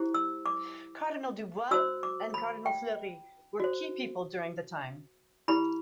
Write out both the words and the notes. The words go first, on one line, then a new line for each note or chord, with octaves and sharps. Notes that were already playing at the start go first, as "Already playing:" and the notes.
Cardinal Dubois and Cardinal Fleury were key people during the time.
Already playing: E4 G4 C5
E6
D6
F#4 C5 E6
D6
B5
G5
F#4 C5
E4 G4 B4 B5